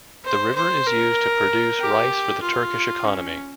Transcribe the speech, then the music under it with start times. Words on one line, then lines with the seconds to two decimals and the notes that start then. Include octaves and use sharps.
The river is used to produce rice for the Turkish economy.
0.24 C5
0.55 C5
0.87 A#4
1.80 G4
2.42 F4
3.05 C#4